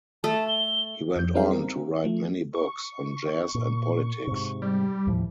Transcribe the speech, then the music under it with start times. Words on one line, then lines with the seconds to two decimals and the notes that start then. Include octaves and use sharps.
He went on to write many books on jazz and politics.
0.24 A3 A5
0.48 G7
1.16 F2 G6
1.34 F#3 G3 C4 D#4 G#4 F5
1.51 C4 A#4
2.04 F3 A3
2.55 C#6
3.55 A#2
4.27 G#2 C3
4.62 G3
5.07 D#2 A2 F3